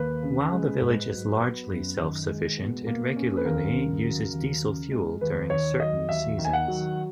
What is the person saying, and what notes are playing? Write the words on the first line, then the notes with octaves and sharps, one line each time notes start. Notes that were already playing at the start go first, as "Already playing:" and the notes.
While the village is largely self-sufficient, it regularly uses diesel fuel during certain seasons.
Already playing: D#2 A#3 B4
C#3
G#3
G#2
F#3
B3
F#2
D#3
G#3
B2
A#3
C#4
B4
D#2 A#4
C#3
F#3
D#2
C#3
G#3
D#2 B4
D#3 C#5
F#3 D#5
D#2 E5
D#3
G#5
F#5
F#3